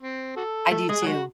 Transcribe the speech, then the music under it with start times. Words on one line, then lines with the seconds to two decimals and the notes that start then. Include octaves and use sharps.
I do too.
0.01 C4
0.37 F#4 A4
0.71 A3 A4
0.89 G#3 G#4
1.02 F#3
1.06 G#3 F#4